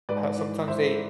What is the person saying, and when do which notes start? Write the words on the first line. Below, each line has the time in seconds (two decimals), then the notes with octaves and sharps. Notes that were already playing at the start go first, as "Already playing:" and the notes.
sometimes they
0.09 G#2 B4 D5
0.38 E3
0.68 E3 C5 E5